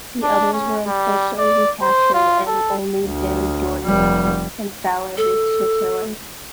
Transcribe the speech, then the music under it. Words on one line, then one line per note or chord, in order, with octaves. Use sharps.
The others were unfortunately recaptured and only van Doorninck and Fowler reached Switzerland.
D4
C#4
G3
D5
C5
F4
A4
D2
F1 G3
A4